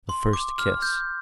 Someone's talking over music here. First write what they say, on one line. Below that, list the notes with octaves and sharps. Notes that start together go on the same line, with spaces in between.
The First Kiss.
C6
D6
F6
G6